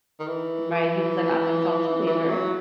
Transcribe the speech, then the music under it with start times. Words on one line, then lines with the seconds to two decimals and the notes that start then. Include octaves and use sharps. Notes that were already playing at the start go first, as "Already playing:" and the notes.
right, he was, like, "I'm gonna talk to you later,"
0.20 D#3
0.27 E3
0.71 E3
2.07 E3
2.29 F#3